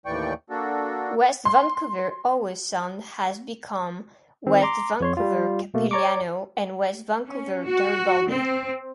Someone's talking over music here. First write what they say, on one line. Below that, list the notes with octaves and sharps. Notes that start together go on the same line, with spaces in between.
West Vancouver-Howe Sound has become West Vancouver-Capilano and West Vancouver-Garibaldi.
D#2 A2 E3 D5 G5 C#6
A#3 D4 F#4 A4
C6
D#3 C4
A#5 C6 D6
F2 C#5 C6
G3 F4
B2 A3 A#3
C#5 D5 A#5 C#6 D6
C#4
F#4
C4